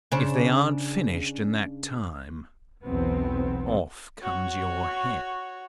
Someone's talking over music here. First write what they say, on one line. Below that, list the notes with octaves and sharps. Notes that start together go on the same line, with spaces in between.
If they aren't finished in that time, off comes your head.'
C#3 D4 C5
B1 E2 B3 C4
F#4 C#5